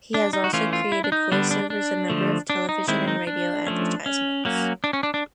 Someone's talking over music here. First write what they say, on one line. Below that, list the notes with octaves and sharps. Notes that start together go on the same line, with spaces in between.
He has also created voice-overs a number of television and radio advertisements.
D4
D#4
F#4
E3 A3 C#4 F4
F4
E4
D4
D#4
D3 G3 B3 D4
D4
D4
D3 F3 A3
D4
D#4
D#3 G#3 C4 E4
D#4
D4
F3 A3 C#4
C#4
F#3 A#3 C#4
D4
C#4
D4
D4